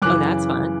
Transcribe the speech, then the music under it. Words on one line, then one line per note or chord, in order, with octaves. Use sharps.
Oh, that's fun.
F#2 C#3 E3 D6 F#6